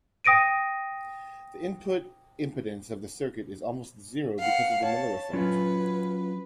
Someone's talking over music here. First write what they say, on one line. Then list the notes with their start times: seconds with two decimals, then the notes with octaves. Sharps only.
The input impedance of the circuit is almost zero because of the Miller effect.
0.24 G5 D#6 A#6 D7 D#7
4.39 F5 F#5
4.83 C#5 A5
5.33 F#3 C#4 F4 B4